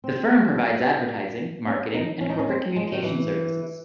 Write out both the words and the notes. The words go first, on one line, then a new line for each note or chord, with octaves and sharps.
The firm provides advertising, marketing, and corporate communications services.
C4
C#4
D#4
C#4
D#4
C#4
C4
G#3
D#3
E3